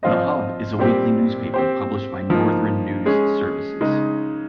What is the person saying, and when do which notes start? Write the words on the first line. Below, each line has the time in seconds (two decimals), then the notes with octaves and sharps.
"The Hub" is a weekly newspaper published by Northern News Services.
0.03 F3 C4 F4 C5 D#5
0.78 A#2 G3 C4 G4
1.54 C4 G4 C5
2.30 F3 A#3 D#4
3.05 G#3 C#4 G#4
3.81 C#3 G#3 D#4